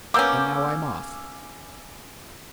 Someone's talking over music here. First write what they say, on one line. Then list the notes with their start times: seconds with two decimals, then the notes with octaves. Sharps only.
And now, I'm off.
0.14 A#3 B3 C#4 D6 E6 G6